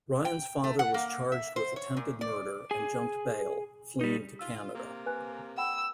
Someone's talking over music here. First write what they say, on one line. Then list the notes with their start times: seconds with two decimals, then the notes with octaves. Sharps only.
Ryan's father was charged with attempted murder and jumped bail, fleeing to Canada.
0.25 G5
0.64 A3
0.79 F#5
0.94 A#3
1.32 E5
1.56 C5
1.76 C#5
1.97 A#2
2.21 D5
2.71 G#4 G#5
4.01 G3 D#4
4.39 F4 E6
4.74 C3 A#3
5.06 B4 G#5 F#6
5.58 F#5 G5 B5 E6